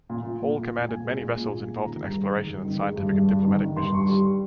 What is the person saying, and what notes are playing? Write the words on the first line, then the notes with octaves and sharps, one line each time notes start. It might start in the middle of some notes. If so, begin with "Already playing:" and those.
Hall commanded many vessels involved in exploration and scientific and diplomatic missions.
A#2
A#2
A#2
A#2
A#2
A#2 G#5
G#3
A#2
A#2
A#2
G#3
D#3 A#5
G2
G#3
D#3
G2
D#3
G#3
G2
G2
G2
D#3
D#3
G2 C6
G2 C#6
C6
G3